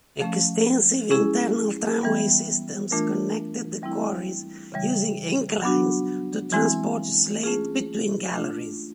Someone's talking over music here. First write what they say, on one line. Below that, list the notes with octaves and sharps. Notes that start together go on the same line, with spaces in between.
Extensive internal tramway systems connected the quarries using inclines to transport slate between galleries.
F3 A3 C#4
G#3 C#4 E4 G#4
E3 G3 B3
E3 A3 D4 F4 A#4
E3 G3 C4 E4
C#3 E3 G3
F#3 B3 D4 F#4
E3 G#3 C4 E4
A3 C#4 F4 G#4
A3 D4 F4